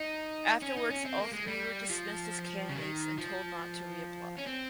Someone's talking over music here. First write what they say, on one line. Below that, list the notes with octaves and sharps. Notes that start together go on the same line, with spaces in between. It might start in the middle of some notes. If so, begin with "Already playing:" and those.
Afterwards all three were dismissed as candidates and told not to reapply.
Already playing: D#4
C#4
D#4
C#4
C4
A#3
G#3
G3
F3
C#3
D#3
F3
C#4
C4